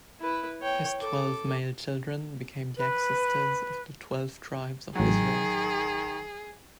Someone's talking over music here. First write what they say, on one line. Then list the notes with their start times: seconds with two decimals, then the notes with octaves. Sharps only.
His twelve male children become the ancestors of the Twelve Tribes of Israel.
0.20 E4 B4
0.61 C#5 G5
1.01 A4 D6
2.77 B4
4.95 A1 D#3 F#3 G#4